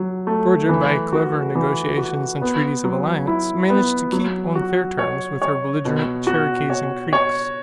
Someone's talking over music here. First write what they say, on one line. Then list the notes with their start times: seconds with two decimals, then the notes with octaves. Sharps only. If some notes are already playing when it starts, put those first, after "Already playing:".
Georgia, by clever negotiations and treaties of alliance, managed to keep on fair terms with her belligerent Cherokees and Creeks.
Already playing: F#3
0.27 A3
0.69 E3
1.13 F#4
1.55 E3
1.98 F#4
2.42 B3
2.84 F#3
3.28 E4
3.70 B3
4.12 F#3
4.55 F#4
4.99 C#5
5.42 C#5
5.85 B2
6.27 F#4
6.70 C#5
7.13 C#5